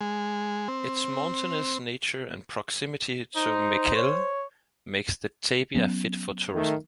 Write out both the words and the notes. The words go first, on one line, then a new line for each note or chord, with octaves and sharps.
Its mountainous nature and proximity to Mekelle makes the "tabia" fit for tourism.
G#3
C4
D#4 C5
C#5
F#3 B3 C#4
D#3 A3